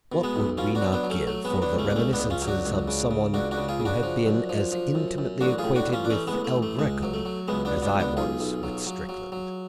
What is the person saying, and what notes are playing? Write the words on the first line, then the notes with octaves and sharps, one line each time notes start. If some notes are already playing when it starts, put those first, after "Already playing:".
What would we not give for the reminiscences of someone who had been as intimately acquainted with El Greco as I was with Strickland?
B2
G#3 B3
B1
B2 C#4 F4
D4 F#4
F#3
B3 D4
F#3
A3 C#4
F#3 A3
G#3 B3
B2
B3 D4
C#2
A3 C#4
D4
C#2 A3 C#4
B3 D4
C#2
C#4 F4
F#3
D4 F#4
C#2
C#3
C#3
C#2 D4 F#4
D4 F#4
C#3
F4 G#4
C#3
D4 F#4
F3
F#2
F3
F3
F#2
F#2
A1 D4 F#4
F4 G#4
A2
D4 F#4
A1
C#4 F4
D4
A1 A3 C#4
G#3 B3
A1
A3
A1
A3
C#2 G#3
F#3
A3
F#3
C#2 G#3 B3
B3 D4
B2
B3 D4
C#2
B3 D4
B1 F4 G#4
B1
F#3
F#3
F#3
F#3